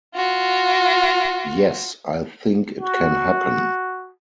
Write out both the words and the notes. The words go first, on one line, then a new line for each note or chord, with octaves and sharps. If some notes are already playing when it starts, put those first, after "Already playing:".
Yes, I think it can happen.
F4 F#4
F#4